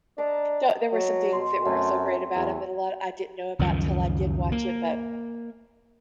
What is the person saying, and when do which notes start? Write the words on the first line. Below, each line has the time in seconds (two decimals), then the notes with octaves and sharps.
there there were some things that weren't so great about him that a lot I didn't know about 'til I did watch it, but
0.18 D4 D#5 A5 A#5
0.92 F#3
1.32 B2 C6
1.65 F#2 A3 C4
2.35 E2
3.59 C#2 F#2 D#3 F3
4.52 A#3